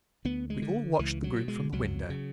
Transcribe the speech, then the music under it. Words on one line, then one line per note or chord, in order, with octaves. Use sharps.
We all watched the group from the window.
D2 B3
G#3
D3
C#2 E3
F#3
B2
G#3
C#2 F#3
C#3